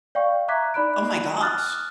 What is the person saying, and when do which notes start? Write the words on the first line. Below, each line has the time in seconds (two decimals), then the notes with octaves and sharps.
Oh my gosh.
0.15 D5 F5 G5 C#6
0.48 E5 A#5 D6 F#6 G#6 B6
0.74 D#4 D5 B5 F#6 D7
1.42 D6 D#6 F6 F#6 A6